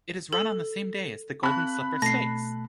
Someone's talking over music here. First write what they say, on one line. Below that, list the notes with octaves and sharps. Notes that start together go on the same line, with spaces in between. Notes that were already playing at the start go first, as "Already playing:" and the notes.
It is run on the same day as the Golden Slipper Stakes.
A4
C4 A5 B5 F#6
B2 A3 A5 A#6 C7